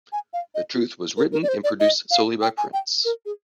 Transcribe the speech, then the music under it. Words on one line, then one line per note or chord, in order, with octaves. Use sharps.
"The Truth" was written and produced solely by Prince.
G#5
F5
D#5
F4
A#4
A#4
D5
C5
D5
D#5
F5
G5
G#5
G5
A#4
G#4